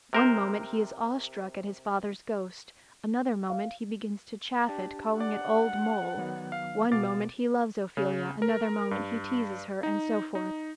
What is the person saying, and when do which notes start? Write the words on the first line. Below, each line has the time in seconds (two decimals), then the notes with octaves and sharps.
One moment he is awe-struck at his father's ghost, another moment he begins to chaff it, calling it "old mole"; one moment he loves Ophelia, another moment he teases her, and so forth.
0.13 C3 A#4 C5
3.50 F5
4.68 D4 G4 A5
5.20 D5 F#5
6.17 D#3 F#3 B3
6.52 F5
6.92 B2 B3 F5 D6 A6
7.97 C#3
8.42 A#4
8.91 G2
9.83 D#4
10.35 D#4